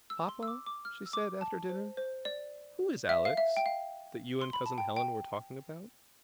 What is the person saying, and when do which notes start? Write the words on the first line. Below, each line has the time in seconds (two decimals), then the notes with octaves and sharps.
"Papa," she said, after dinner, "who is Alex, that you and Cousin Helen were talking about?"
0.10 E6
0.29 C6
0.43 E6
0.48 D6
0.66 D6
0.85 F6
1.06 E6
1.13 D6
1.41 A5
1.69 C5
1.97 C5
2.25 D5
3.09 E5
3.25 F5
3.37 E5
3.57 G5
3.66 F5
4.41 C6
4.53 B5
4.66 A5
4.78 G5
4.96 G5